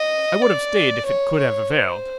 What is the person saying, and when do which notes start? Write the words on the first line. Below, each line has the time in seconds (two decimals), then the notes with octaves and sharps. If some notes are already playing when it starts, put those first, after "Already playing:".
"I would have stayed if it could have availed."
Already playing: D#5
0.42 D5
1.06 C#5
1.37 C#5
1.70 C5